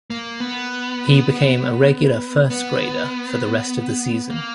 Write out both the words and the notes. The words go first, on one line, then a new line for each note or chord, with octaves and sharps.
He became a regular first-grader for the rest of the season.
A#3
B3
B3
A#3